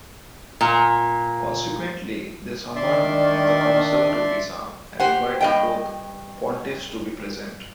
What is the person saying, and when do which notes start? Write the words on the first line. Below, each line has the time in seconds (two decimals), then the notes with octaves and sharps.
Consequently, they summoned the council to Pisa and invited both pontiffs to be present.
0.61 A#2
2.76 D#3 D4 D5 E5 C6
5.00 G4 C5 F#5
5.41 G2 D#5 G5